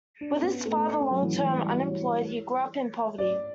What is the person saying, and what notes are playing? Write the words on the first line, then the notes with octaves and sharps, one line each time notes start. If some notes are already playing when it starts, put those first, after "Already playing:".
With his father long-term unemployed, he grew up in poverty.
D4
C#4
B3
A3
A3
C#4
F#3
E3
E3
E3
G3
F#4
C#5
D5